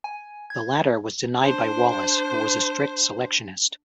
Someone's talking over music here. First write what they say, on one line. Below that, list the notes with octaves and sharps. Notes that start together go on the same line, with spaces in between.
The latter was denied by Wallace who was a strict selectionist.
G#5
G#6
D4 C5